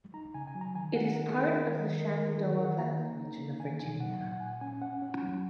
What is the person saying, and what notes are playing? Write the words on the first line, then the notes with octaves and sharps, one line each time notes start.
It is part of the Shenandoah Valley region of Virginia.
D#4 A#5
C#3 G#5
G#5
F#3
A#5
D#3 G#5
D#3 F#5
D#4 A#4
G#4
D#3
A#4
D#3 A#4
D#3 D#5
G#3 A#4
D#3 A#4
D#3 G#4
A#4
D#3
F#5
A#3 A#5
A#3
D#4
A#3
D#3 G#5
D#4 G#5
F#3 F#5
A#2 F#5
A#2 G#5
C#4 G#5
C#4 F#5
C#4
F#3